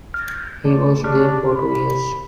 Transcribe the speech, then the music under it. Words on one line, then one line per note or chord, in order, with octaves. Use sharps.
He was there for two years.
F6
A3 D5
D4 G4 C#6 F6
B5